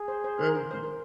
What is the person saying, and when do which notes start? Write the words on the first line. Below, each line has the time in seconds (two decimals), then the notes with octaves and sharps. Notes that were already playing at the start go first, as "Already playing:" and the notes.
And, m
Already playing: G#4
0.08 C5
0.24 C5
0.39 C5
0.48 A#4
0.55 C5
0.71 C5
0.84 A#4